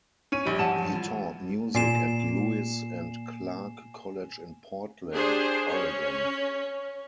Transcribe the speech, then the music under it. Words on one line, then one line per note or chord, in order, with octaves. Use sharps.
He taught music at Lewis and Clark College in Portland, Oregon.
C#4 D#7
A#1 G3
G4 F#5 A5 E7
F3 G3
E3 F4
A#2 G#5 C7 E7
D4 G4 G#4 C5
C#4 C#5